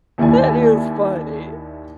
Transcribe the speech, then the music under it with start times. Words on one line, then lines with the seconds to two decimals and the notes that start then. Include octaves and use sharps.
That is funny.
0.18 D#2 D#3 E4 D5 G#5